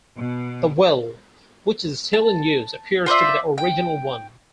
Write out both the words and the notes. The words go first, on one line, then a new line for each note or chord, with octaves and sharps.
The well, which is still in use, appears to be the original one.
B2
A5
F4 C5 D5 E5
G5